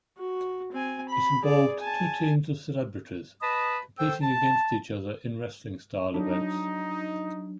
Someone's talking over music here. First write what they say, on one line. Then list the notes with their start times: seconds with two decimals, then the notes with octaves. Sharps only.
It involved two teams of celebrities, competing against each other in wrestling style events.
0.18 F#4
0.72 C4 G#5
1.09 B5
1.42 G#4 D5
1.80 G#5 A5
3.42 B4 D#5 A5 B5 D#6
3.99 D#3 A4 C5 G5 E6
4.21 A5
6.14 F#3 D4 D#4